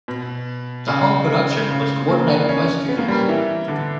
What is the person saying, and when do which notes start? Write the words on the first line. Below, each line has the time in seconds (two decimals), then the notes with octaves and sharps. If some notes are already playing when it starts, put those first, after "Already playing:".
The whole production was coordinated by students.
0.08 B2
0.88 C#3
1.68 C#3
2.08 A#3
2.28 D4
2.49 C#4
2.89 B3
2.98 A#3
3.08 G3
3.28 E3
3.68 D3